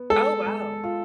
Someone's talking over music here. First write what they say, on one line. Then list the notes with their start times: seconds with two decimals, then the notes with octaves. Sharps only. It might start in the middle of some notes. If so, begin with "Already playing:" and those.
Oh, wow.
Already playing: B3
0.10 G#3 A4
0.46 G#3
0.84 F4